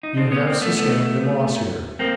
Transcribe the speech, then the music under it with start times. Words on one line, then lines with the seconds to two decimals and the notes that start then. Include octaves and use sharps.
You have sustained a loss here.
0.03 D#4
0.17 C4 D4
0.31 B3 C#4
0.47 A#3 C4
0.62 A3 B3
0.77 A3 B3
1.99 A#3 C4